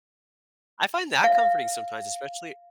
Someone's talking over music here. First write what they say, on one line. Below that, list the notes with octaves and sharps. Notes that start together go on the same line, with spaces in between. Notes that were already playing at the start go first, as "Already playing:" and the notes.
I find that comforting sometimes, especially
F5